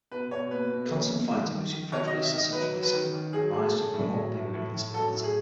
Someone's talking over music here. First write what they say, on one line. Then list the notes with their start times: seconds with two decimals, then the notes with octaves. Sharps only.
Constant fighting between federalists and centralists gave rise to a prolonged period of instability.
0.11 B2 B4
0.31 B2 C#5
0.51 B2 B4
0.72 B2
0.92 C#4
1.12 B2
1.32 D#3
1.53 D#3
1.72 D#3
1.92 F#3 C#5
2.07 D#5
2.13 D#3
2.22 E5
2.33 D#3 D#5
2.52 F#3 B4
2.73 F#3
2.83 B4
2.93 D#3
3.13 D#3
3.33 F#3 G#4
3.53 A3 G#4
3.73 A3
3.93 A2
4.13 F#3
4.33 A2
4.54 A2
4.74 A2
4.94 F#3 A4
5.14 A2
5.24 G#4